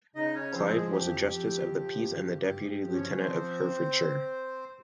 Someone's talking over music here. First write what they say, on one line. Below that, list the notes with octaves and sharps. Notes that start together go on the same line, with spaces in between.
Clive was a Justice of the Peace and the Deputy Lieutenant of Herefordshire.
C#3 D#4 D#5
C#4 C#5
F3 C4 C5
G#3 G#4
F2 G4
F2
F3
G2
G2 G4
G#4
G4
F3
C#4 C#5
F3 C4 C5